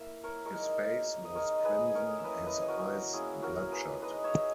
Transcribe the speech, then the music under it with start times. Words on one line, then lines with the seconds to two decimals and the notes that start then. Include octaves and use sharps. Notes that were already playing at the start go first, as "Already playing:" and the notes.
His face was crimson, his eyes bloodshot.
Already playing: A#3 E4 E5
0.24 A#4 C#5
0.45 G#3 D#4 A#4 C#5
1.25 D#5
1.35 G#3 D#4 A#4 C#5
1.64 G#4 B4
1.95 A#4 C#5
2.18 E5
2.24 A#3 C#4 E4 B4 D#5
2.46 B4 D#5
2.68 F#4 A#4
3.13 A#3 C#4 E4 G#4
3.42 F#4 A#4
3.72 G#4 B4
4.02 G#3 D#4 B4 D#5
4.24 C#5 E5